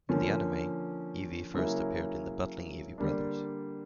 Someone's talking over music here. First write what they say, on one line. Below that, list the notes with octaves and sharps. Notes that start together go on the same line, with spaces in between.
In the anime, Eevee first appeared in "The Battling Eevee Brothers".
D3 F3 A#3 C#4
C#3 F#3 A#3 C#4 E4
D3 G3 A#3 D4